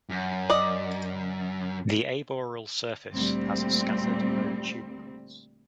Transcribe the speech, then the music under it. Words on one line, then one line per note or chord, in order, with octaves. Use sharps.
The aboral surface has scattered low tubercles.
F#2
D5 D#5
D2 A#2 G3 C4